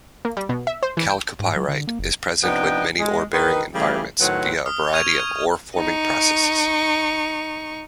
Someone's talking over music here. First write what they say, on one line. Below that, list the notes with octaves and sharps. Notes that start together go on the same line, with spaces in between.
Chalcopyrite is present with many ore-bearing environments via a variety of ore forming processes.
A#3
G3
B2
E5
C5
E3
G5
G#2
F#3
D3
A#3
F#1
C3 F3 B3 D4 D#4 G5
G#3
D#3 B4
C#3 E3 G3 A3 G4 G#4
A2 D#3 F#3 B4 C5 F#5
D#6 F6
C#6 G#6 D#7 F7
D#4 C#6